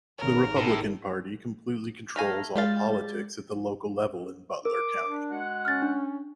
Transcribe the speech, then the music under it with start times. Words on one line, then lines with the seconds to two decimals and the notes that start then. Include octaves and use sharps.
The Republican Party completely controls all politics at the local level in Butler County.
0.19 G#1 A#4 C#5
0.56 A2
2.16 A3 A4 F5 G#5 A#5 F6
2.56 G3 G#3 F4 F5 A6
4.65 A#4 D6
5.04 D4
5.31 G#3 F#4 F#5
5.65 C#4 F6 A6
5.82 D4